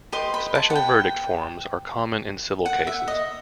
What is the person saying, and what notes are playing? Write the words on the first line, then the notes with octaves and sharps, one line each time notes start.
Special verdict forms are common in civil cases.
G4 B4 D#5 C6
B5
A5
F#5
G5
F#5
E5
D#5